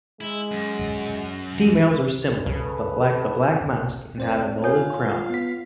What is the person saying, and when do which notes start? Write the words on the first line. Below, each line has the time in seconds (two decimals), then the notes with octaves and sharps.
Females are similar, but lack the black mask and have an olive crown.
0.21 G#3 E4
0.51 F#2
2.46 C#2 C#3 A4 B4
4.18 C4 C5 D5
4.64 F4 A4 C#5 F5 G#5
5.30 B3 B6